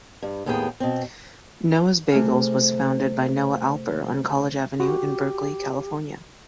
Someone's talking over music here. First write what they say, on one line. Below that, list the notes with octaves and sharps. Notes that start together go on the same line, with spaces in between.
Noah's Bagels was founded by Noah Alper on College Avenue in Berkeley, California.
G2
D#2 A2 B3 G#4 D#5 G5
B2 C4
C3 A3 E4 G#4 G#5 F6
F#4 G4